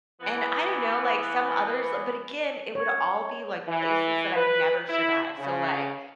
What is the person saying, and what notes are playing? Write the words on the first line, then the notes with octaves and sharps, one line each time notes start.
and I don't know, like some others uh, but again, it would all be, like, places that I would never survive, so, like,
E3 B3
C#5
E3
B4
E4
C#3